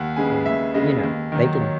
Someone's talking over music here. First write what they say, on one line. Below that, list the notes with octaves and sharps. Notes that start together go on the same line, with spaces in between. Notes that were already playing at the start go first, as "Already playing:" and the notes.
Um, you know, they can
Already playing: D#2 F#5
C#3 G#3 B3 G#5
D#2 E5
C#3 G#3 B3 D#5
D#2
D#3 F#3
C#5